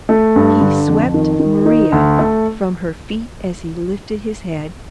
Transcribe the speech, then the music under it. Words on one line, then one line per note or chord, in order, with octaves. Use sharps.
He swept Maria from her feet as he lifted his head.
A3
G2
D3
F2
D#3
D#3
D#4
D2
A3